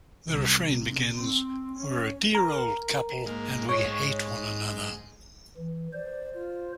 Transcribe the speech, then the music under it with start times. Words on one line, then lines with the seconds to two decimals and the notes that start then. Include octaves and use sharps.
The refrain begins, We're a dear old couple and we hate one another.
0.28 C2
0.67 C3
1.15 C4
1.78 C#4
2.35 A#4
3.26 G#2 A#3
3.69 G#2 C#5
5.57 E3
5.93 C5 D5
6.34 F4